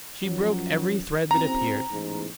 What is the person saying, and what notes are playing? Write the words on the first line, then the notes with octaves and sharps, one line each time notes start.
She broke every thread that appeared.
F#2 F3 F#3
F#1 C4 A#5
A1 E2 G#2